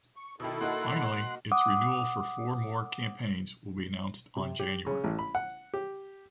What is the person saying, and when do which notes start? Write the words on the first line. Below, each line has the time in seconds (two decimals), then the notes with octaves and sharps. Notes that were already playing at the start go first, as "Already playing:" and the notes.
Finally, its renewal for four more campaigns will be announced on January.
0.16 C#6
0.40 B2 D#3 E4 A4
0.61 A#3 D#4 F#4 F#5 C6
1.52 F#5 D6 D#6
4.36 C3
4.60 G4
4.86 C#3
5.04 A1
5.19 B5
5.35 F#5
5.74 G4